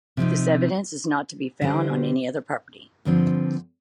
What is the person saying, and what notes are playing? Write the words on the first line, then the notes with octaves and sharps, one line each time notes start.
This evidence is not to be found on any other property.
C3 F3 C4 D#4
D3 G3 D4 G4 C5
G2 D3 F3 C4